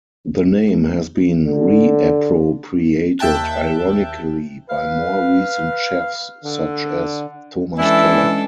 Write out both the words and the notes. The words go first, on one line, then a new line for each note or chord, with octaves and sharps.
The name has been reappropriated ironically by more recent chefs such as Thomas Keller.
D3
D#2 E5 G5 A5 F#6
B4 F5
D3
E3 G#3 C#4 D4 E4 A4